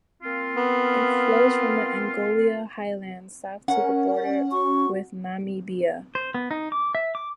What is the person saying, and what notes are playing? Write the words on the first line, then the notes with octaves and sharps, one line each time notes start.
It flows from the Angola highlands south to the border with Namibia.
A#3 C4 F4
B3
C#4 A#4 F#5
F#4 C#6
C5
B3
D#4
D6
E5
D6